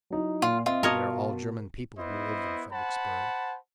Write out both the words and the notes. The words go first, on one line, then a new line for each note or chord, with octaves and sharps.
They are all German people who live in Fredericksburg.
F#3 D#4 E4
A#2 F4
C4 F4 D#5 E5
B2 A#4 C#5 D#5 A5
B3 E4 C5 D#5
C5 F#5 A5 B5